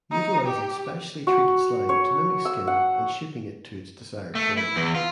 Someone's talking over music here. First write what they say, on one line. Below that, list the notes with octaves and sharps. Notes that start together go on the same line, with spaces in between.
Utilizing specially treated slime to mimic skin and shaping it to its desired form.
D#4
G4
F#4
C#5
E6
F#5
A3
E4
E2 E3
F4